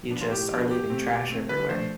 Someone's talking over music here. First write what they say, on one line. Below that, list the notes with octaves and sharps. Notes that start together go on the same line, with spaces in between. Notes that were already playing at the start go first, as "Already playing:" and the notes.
you just are leaving trash everywhere.
F3 B3 D4
F4
A2 G4
F3 B3 D4
B2 G4
A3 C4
B2
A3 C4
D3 B4
F3 A3 D4 C5